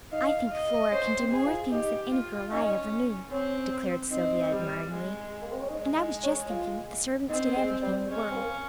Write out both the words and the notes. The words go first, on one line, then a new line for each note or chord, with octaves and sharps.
"I think Flora can do more things than any girl I ever knew," declared Sylvia admiringly; "and I was just thinking that the servants did everything in the world."
D#4 F5
D#5
C#4 C5
C4
G#4
F4
D#4 G4
F4
C#4 D#4
C4 C#4
C4 D#4
G3
G#3
A#3
C4
C#4
G#3 D#4
D#4
C#4
F4
C4 D#4
G#3
G3
G#3 C#4
C4
A#3